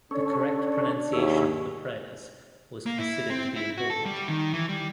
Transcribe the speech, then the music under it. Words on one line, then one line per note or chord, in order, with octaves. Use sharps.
The correct pronunciation of the prayers was considered to be important.
C#4 D4 A4 C#5
D#2 G#4 C#5 E5
A#3
E4
C4
E4
F#4
A4
G3
D#3
E3
G3